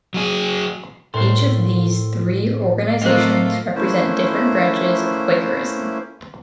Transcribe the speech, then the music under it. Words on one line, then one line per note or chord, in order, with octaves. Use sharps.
Each of these three organizations represent different branches within Quakerism.
F#3 G#4
A2 A4 A#4 C5 C6
F#3 A3 A#3 C4 F4 C5 D#5 F5
A3 A#3 C#4 E4 B4 C5